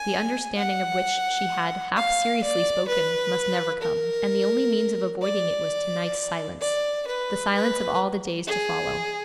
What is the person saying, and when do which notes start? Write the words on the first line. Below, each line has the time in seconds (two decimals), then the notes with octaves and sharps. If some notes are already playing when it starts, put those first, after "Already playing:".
The understanding of which she had half-seriously spoken must never come, and the only means of avoiding it was to-night's silence, the silence of all the days to follow.
Already playing: G#5
0.57 F#5
1.96 F5
2.43 D5
2.89 B4
3.82 A#4
5.22 D5
6.61 D5
7.07 B4
7.55 B4
8.47 G#4